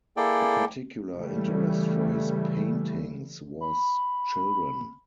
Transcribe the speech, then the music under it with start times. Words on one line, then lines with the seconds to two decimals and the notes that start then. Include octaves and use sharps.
A particular interest for his paintings was children.
0.17 A#3 E4 G#4 A4 D5 G5
1.14 C#3 E3 G3 A3
3.61 B5